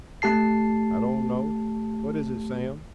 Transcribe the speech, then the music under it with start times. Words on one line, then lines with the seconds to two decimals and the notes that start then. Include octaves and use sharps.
"I don't know,--what is it, Sam?"
0.22 A3 G4 A5 C7